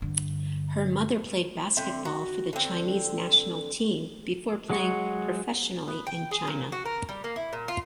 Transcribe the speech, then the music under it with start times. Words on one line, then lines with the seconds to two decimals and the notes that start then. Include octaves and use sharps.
Her mother played basketball for the Chinese national team before playing professionally in China.
0.02 G2 D3
1.77 D3 C4 E5
2.05 F#4
2.53 D3 C4
4.70 F#3 G#3 G#4 F#5 C#6
5.88 B3
6.07 G5
6.31 G#4
6.47 A#2
6.72 F#4
6.85 A#4
7.09 G3
7.24 A#3
7.36 E4
7.53 A#2
7.68 F4